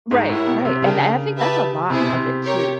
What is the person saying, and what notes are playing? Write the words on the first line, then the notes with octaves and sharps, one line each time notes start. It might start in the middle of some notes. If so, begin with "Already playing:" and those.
Right. Right. And I I think that's a lot of it too
G#2
A2 E4 G4 A#4 C#5 F#5
B2
C3
C#3 A#3 D4 G4 A#4
G4 B4 E5 A5
C3 E4 G#4 C5
B2
C3
G4 A#4 C#5